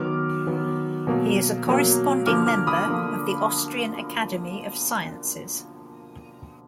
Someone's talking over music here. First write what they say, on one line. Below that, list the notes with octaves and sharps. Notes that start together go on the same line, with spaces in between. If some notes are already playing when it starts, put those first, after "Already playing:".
He is a "Corresponding Member" of the Austrian Academy of Sciences.
Already playing: D#3 F#3 B3 D6 F6
D#3 F#3 B3
B2 F#3 A#3
B2 F#3 A#3
D3 F3 A#3 D6 F6
D6 F6
B5 D#6
D3 F3 A#3